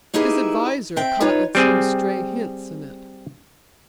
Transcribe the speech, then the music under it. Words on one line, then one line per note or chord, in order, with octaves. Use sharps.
His adviser caught at some stray hints in it.
A#3 D#4 E4 G4 G#4 B4
C4 E5 G5
D#4 F4 B4 C#5
G3 C4 G#4